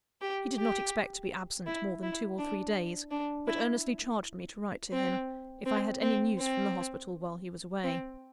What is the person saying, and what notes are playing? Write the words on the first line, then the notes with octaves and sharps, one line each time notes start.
He did not expect to be absent more than two or three days; but earnestly charged me to write to him, if I had any news from the hospital while he was away.
G4
G4
E4
E4
D4
D4
E4
C4
C4
C4
C4
C4